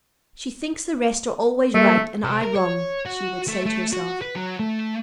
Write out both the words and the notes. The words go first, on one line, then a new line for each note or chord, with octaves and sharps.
"She thinks the rest are always right, and I wrong," she would say to herself.
G3 A3 A#3 E5
C3
A#4
C#5
F#4
A3
A3
F#4
B4
F#3
A3